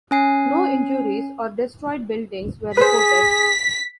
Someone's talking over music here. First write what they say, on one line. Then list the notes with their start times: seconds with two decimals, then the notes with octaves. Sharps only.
No injuries or destroyed buildings were reported.
0.11 C#4 G#5 C7
2.77 G#4 B4 C5 B6